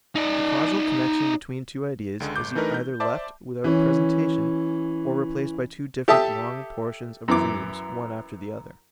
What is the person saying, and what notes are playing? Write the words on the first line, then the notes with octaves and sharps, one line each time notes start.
The causal connection between two ideas is either left without presentation, or replaced by two different long portions of dreams one after the other.
D#4 D5
C#2 D3 G#3
G1 D6 G6
E3 A3 D4 D#4 A#4 B4
G6
C5 D5 E5 A5 D6
E3 C#4
G4 A4 E5 A5 D#6
F#2 E3 D6